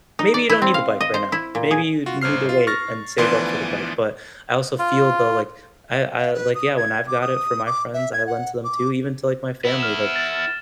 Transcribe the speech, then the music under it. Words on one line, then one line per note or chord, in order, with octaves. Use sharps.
maybe you don't need the bike right now. Maybe you need to wait and save up for the bike," but, I also feel though, like, I I like yeah, when I've got it for my friends, I lend to them too, even to, like, my family, like,
D#4
D5
E4
C4
F5
D#5
C5
E4
A#2
G#4
F4 F#4
G1 C5 F6 C7
F4
C#6 F6 A6 A#6
D2 E3 F3 B3 D5 C6
F4
F5
B4
D#6
G#6
D6
D#6
D6
E5
G#6
F#5
D6
B3 E4
F6 E7
A6